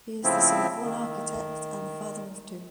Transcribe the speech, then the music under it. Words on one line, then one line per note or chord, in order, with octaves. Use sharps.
He is the son of one architect and the father of two.
C#3 F3 C4 E4
D#3